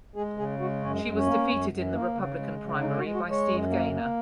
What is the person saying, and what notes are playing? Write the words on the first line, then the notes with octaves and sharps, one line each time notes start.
She was defeated in the Republican primary by Steve Gaynor.
G#3 G#4
C#3 G#4
G#3 F#4
F#2 C#4
F#2
C#4
A#3
F#2
F#2
A#3
C#3
G#3
C#3
G#3 D#4
F#4
G#3
F#4
G#3
C#5
F#2
A#3
A#3